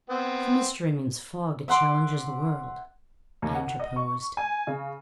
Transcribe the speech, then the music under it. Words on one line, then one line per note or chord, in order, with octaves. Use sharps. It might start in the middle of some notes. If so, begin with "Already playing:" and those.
'If mystery means fog, it challenges the world,' I interposed.
B3 C4
E5 F#5 C6 D6
D#2
F#5
D#5
C#6
G#5
C#3